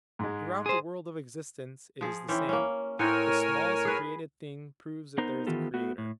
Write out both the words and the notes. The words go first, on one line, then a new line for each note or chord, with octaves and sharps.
Throughout the world of existence it is the same; the smallest created thing proves that there is a creator.
G#2 G#3
G#4 C5
F3 G#4
E3 C4 C#4
A#3 C#4
A2 C4 A#4 C#5 F#5 G#5
G#4 B4
B3 D#4 A#4 C5 A#5
D#3 E3 B3 F4 G4 A4
A3 B3 F#4
A2